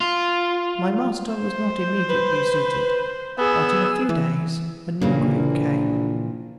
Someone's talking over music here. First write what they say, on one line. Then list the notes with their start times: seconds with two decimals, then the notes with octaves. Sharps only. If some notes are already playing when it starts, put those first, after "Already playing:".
My master was not immediately suited, but in a few days my new groom came.
0.01 F4
1.33 C5
2.09 B4
3.38 B3 G#4 E6
4.09 E3
5.01 A#1 A#2 C#3 E3 A#3